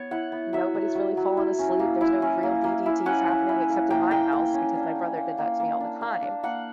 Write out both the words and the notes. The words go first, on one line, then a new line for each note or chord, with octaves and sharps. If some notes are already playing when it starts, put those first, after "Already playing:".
nobody's really falling asleep, there's no real DDTs happening except in my house because my brother did that to me all the time.
Already playing: B3 C#5
E4 F#5
B3
F#3 E5
F#3
F#3
F#3
E4
C#4
A#3
E4
C#4
A#3
A#3
E4
C#4 F#5
C#4
E4
A#3
A#3 G5
A#3 G5
A#3
C#4
D4
A#3
A#3
A#3
A#3
D4
A#3
D4
A#3 F#5